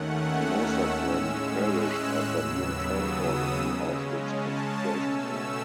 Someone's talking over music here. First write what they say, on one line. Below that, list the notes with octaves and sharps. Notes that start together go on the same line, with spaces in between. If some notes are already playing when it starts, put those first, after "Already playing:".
Most of them perished after being transported to Auschwitz concentration camp.
Already playing: D#2 D#3 A3 C#4 F#5
E6
A2 G#3 C#4
F#6
E6
D#2 C#3 F#3 B3
D#6
C#3 G#3 C#4
A5
B2 A3 C#4 E6